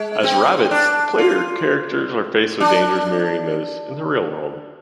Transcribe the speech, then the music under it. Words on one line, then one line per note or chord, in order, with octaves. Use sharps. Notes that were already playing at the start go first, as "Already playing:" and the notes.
As rabbits, player characters are faced with dangers mirroring those in the real world.
Already playing: G#3
C4
D4
F4
D4